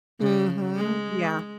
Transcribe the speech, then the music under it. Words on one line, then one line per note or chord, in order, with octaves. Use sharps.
Mhm, yeah.
C#3
G#3